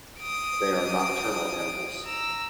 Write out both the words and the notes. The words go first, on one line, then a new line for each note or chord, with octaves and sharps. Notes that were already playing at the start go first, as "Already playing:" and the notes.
They are nocturnal animals.
D#6 D7
A#5 E6